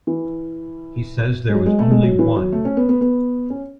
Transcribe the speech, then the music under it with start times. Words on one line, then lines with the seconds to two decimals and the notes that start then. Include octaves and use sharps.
He says there was only one.
0.07 E3
1.49 G#3
1.54 F#3
1.66 G#3
1.79 A3
1.91 G#3
2.03 F#3
2.19 E3
2.36 F#3
2.52 A3
2.65 C#4
2.77 B3
2.89 B3
3.01 B3
3.50 C#4